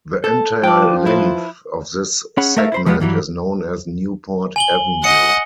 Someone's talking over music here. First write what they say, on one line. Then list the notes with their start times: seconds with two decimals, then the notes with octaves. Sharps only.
The entire length of this segment is known as Newport Avenue.
0.24 A4 A5 G6
0.64 F3 D5 G5 A5
1.06 E4 B4 C5 A5
2.37 C#4 G#4 C#5 F#5 B5
2.56 A3 A#4 E5 F5
2.72 E4 C5 B5
2.86 F3 G3 G#3 B3 F4 G4
3.00 G2 E3 F#3 G3
4.56 G#5 F#7 G7
5.04 D#5 F#5 C#7